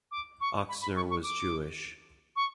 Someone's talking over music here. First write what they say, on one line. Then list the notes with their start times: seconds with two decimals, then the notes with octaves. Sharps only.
Oksner was Jewish.
0.11 D6
0.40 C#6
0.68 B5
0.81 B5
0.96 C#6
1.10 C#6
1.23 D6
2.36 C#6